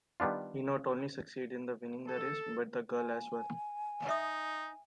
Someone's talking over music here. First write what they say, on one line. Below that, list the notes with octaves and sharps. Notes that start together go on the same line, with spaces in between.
He not only succeeds in winning the race, but the girl as well.
D#3 G3 B3 D4 F4
A4
G#5
D#4 E5 D#6